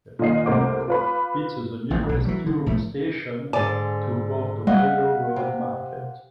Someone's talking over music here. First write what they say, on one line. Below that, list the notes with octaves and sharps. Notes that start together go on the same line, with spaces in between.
It is the nearest tube station to Portobello Road Market.
A#2 D#3 D#5 C7
C2 A3 A#4 C5 F#5 D6
F4 B4 B5
A1 A#2
B1
E3 F#3 G3
D3
A#1 A2 A3
G#2 D3 D5 G#5
G3 D#5 F5 F#5
C3